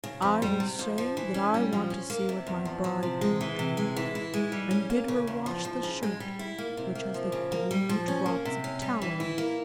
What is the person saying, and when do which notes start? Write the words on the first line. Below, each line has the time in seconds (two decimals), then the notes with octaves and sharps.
I will say that I want to see what my bride can do, and bid her wash the shirt which has the three drops of tallow on it.
0.04 C#3
0.22 F2
0.42 G3
0.60 C3
0.79 F2
0.98 F3
1.17 E3
1.34 C#4
1.54 G3
1.73 F3
1.90 C#4
2.10 A#3
2.29 C3
2.47 E2
2.65 F3
2.84 F3
3.03 C3
3.21 G#3
3.41 E3
3.59 C3
3.77 G#3
3.96 E3
4.15 E4
4.34 G#3
4.52 G3
4.71 C#4
4.90 A#3
5.08 C#3
5.27 E2
5.46 F3
5.65 F3
5.83 C#3
6.03 G#3
6.20 G3
6.39 E4
6.58 A#3
6.77 C3
6.95 A#3
7.14 F3
7.32 C#3
7.52 A#3
7.71 G3
7.89 F3
8.08 C#4
8.26 A#3
8.45 C3
8.64 C#4
8.82 G3
9.02 E3
9.20 E4
9.38 A#3